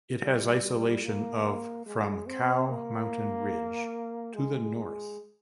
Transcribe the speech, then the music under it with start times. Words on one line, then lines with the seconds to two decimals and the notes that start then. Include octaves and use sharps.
It has isolation of from Cow Mountain Ridge to the north.
0.21 G3
1.04 A#3
1.45 A#3
1.86 G#3
2.27 C4
2.69 A#3
4.34 G#3
4.75 G#3